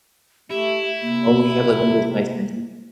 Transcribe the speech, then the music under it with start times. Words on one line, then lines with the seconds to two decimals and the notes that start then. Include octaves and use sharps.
Oh, you have, like, one of those nice vintage
0.50 A3 E4 G4
1.01 C3 A#3